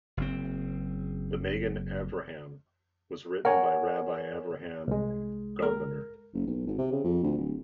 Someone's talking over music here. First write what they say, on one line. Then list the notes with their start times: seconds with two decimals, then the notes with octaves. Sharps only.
The Magen Avraham was written by Rabbi Avraham Gombiner.
0.17 F#1 C4
3.45 A#4 C#5 F#5 G#5
4.88 C2 G#3
5.62 A#4
6.34 F#1
6.47 B1
6.67 G#1
6.78 C3
6.92 C#3
7.04 F2
7.23 D2
7.37 D1